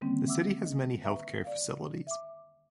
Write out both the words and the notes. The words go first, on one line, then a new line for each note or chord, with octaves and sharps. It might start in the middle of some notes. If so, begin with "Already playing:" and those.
The city has many healthcare facilities.
D3 D#3 G3 A#3 C4 C#4
E5 F#5 D6 E6
D#5
B4 E5 A#5 C#6
D5 F5
E5 D6